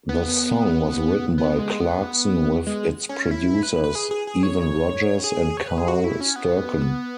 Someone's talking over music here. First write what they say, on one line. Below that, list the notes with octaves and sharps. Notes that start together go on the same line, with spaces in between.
The song was written by Clarkson with its producers Evan Rogers and Carl Sturken.
B3
B3
G#3
B3
G#3
C#4
E4
B4
B4
G#4
G#4
G#4
C#5
G#4
C#5
B4
G#4
F#4
E4
C#4
B3